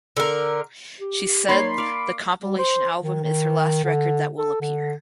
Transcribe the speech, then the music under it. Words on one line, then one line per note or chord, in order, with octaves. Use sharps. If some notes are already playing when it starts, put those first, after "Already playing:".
She said the compilation album is her last record that will appear.
D3 A#4
G4
A#3 D#4 C#5 D5 B5 C6 C7
D5 F5 D6
G3
C5
D#3
D#3
D3
A4
D3